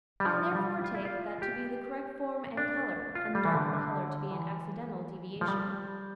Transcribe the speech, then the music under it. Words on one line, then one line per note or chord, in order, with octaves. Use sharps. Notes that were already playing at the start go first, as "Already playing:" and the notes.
I therefore take that to be the correct form and colour, and the darker colour to be an accidental deviation.
G3
F3
G3
F4
E4
F4
G4
D4
F4
G3
E3
D3
D3
E3
F3
G3